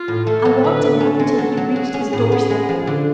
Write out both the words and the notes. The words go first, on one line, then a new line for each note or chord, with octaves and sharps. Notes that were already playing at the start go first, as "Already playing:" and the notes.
I walked along until he reached his door step.
Already playing: F4
A2
A3 A4
F#3
D3 B4
D3
C#4 A4
G#3
F#3
F#3
F#4 G#4
C#4
A2
B3
G#3
F3
D3